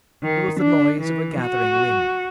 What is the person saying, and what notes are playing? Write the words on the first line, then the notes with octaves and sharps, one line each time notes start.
There was the noise of a gathering wind.
D#3
D4
E3
F#4